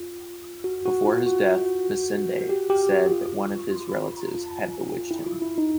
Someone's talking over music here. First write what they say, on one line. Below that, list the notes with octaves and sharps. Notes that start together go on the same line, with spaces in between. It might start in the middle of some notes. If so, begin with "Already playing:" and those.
Before his death, Masinde said that one of his relatives had bewitched him.
Already playing: F4
F#4
F#4
F4
F#4
G4
G4
F#4
F4
F4
F4
E4
F4
E4
D#4